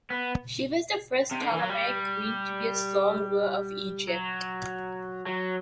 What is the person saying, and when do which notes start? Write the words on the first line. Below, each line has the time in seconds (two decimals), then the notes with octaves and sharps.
She was the first Ptolemaic queen to be a sole ruler of Egypt.
0.10 B3
1.31 C3
1.40 D3
1.50 E3
1.59 F#3
1.69 G3
4.07 F#3
5.26 F#3